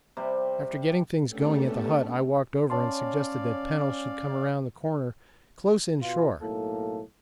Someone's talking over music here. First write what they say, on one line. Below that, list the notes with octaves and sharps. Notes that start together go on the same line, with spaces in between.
After getting things going at the hut, I walked over and suggested that Pennell should come round the corner close in shore.
C3 G3
A3 B3 C#4 D4 G4 A4
C#4 C#5 D5 F5 A5 C6
B2 F4
B1 A2 A#3 A4